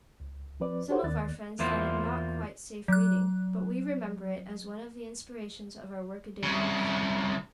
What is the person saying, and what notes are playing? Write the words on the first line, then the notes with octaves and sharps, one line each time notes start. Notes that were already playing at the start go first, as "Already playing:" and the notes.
Some of our friends thought it not quite safe reading; but we remember it as one of the inspirations of our workaday youth.
C#2
F3 C4 B4 D5
F#4 G4 A4 C5 C#5 F#5
D#2 D#3 A#3 D5 F#6 A6
E2 A#3 E4 F4 C5
F#3 F#6
C2 C#3